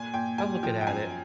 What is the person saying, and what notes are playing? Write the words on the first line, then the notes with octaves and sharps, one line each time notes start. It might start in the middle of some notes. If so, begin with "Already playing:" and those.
I'm looking at it.
Already playing: A#2 G#5
A#2 G5
G3 G#5
F3 G5
G5
F#2 G#5